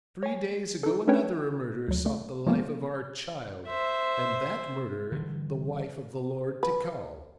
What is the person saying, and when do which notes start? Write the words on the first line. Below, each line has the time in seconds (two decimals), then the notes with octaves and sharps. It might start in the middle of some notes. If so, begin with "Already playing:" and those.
Three days ago another murderer sought the life of our child, and that murderer the wife of the Lord Tikal.
0.23 C#5 G#5
0.83 D#4 A4
1.07 A3 C#4 D4 B4 C#5 G5
1.88 D2 F#3
2.06 A3
2.47 F3 G#3 A#3 B3
3.67 C5 E5
5.12 D3 E3 G3
6.63 B4